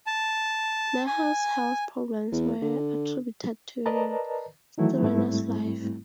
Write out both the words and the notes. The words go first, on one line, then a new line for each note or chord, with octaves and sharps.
Maher's health problems were attributed to a strenuous life.
A5
G#5
E2
D3
A#4 B4 D5 D#5 A5 A#5
D#3 E3 F#3 A3 E4
G#2 G3 A3 C4 E4